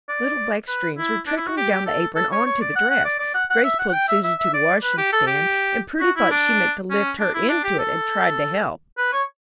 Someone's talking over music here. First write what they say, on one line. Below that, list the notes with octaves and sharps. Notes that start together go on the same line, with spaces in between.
Little black streams were trickling down the apron on to the dress. Grace pulled Susy to the washing-stand, and Prudy thought she meant to lift her into it, and tried to help.
D5
B4
E4
D4
E4
F#4
G4
G4
A4
A4
C#5
C#5
D5
F#5
F#5
D5
D5
F#5
F#5
E5
F#5
F#5
G5
E5
E5
E5
D5
B4
G4
A4
G4
F#4
E4
D4
C#4
D4
E4
D4
G4
A4
B4
C#5